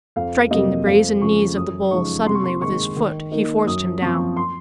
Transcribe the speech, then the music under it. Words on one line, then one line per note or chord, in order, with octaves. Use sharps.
Striking the brazen knees of the bull suddenly with his foot he forced him down.
F2 F5
C3 F#3 A#3 D#5
F2 F5
C#3 F3 G#3 C#6
F#2 D#6
C#3 F3 G#3 D#4 C#6
C3 C6
C#6
C6
D#3 G#3 D#4 C#6
D#3
A#3 D#4
F#2 D#6
F3 C4 C#6
C6